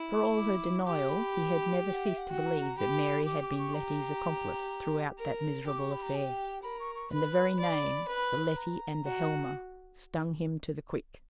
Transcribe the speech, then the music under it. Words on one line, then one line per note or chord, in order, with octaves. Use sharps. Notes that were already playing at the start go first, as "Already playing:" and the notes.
For all her denial, he had never ceased to believe that Mary had been Letty's accomplice throughout that miserable affair; and the very name--the Letty and the Helmer--stung him to the quick.
Already playing: E4
D6
C#6
D6
G4 D6
B5
G5
F#5
E5
F#5
F#4 G5
A#5
A#5
G4 B5
G4 D6
D6
C#6
A#5
A#4
G4 D6
C#6
B5
A#5
G5
A#4 B5
C#6
C#6
B4 B5
D5
B4
A#5
F#4